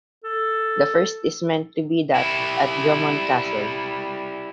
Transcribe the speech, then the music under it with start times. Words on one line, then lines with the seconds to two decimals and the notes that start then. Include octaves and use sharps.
The first is meant to be that at Drummond Castle.
0.24 A4
2.16 G3 E4